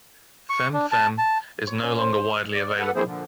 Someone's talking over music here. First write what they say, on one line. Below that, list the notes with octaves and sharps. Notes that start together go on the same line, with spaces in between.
Fen-phen is no longer widely available.
C#6
D4
A5
A5
C#5
C#4
C5
D5
A4 B4 F#5
F3 A#3 C4 E4 G#4 C5
A#2 D3 F3